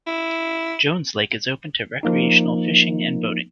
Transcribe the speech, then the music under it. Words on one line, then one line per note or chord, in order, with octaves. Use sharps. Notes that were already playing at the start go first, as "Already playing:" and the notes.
Jones Lake is open to recreational fishing and boating.
E4
F3 A#3 D#4